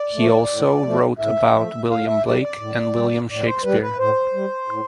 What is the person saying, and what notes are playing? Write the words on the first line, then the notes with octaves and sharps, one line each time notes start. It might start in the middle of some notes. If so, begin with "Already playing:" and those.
He also wrote about William Blake and William Shakespeare.
Already playing: D5
F3 A3
A2
F3 A3
A2 E5
F3 A3
A2 F5
E5
G3 D5
D5
A2
G3
A2 D5
C5
G3 B4
B4
A2 C5
G3
A2